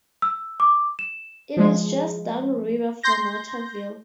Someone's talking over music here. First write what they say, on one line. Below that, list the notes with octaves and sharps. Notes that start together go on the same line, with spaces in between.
It is just downriver from Waterville.
E6
D6
E7
F3 G#3
C6 G6 A#6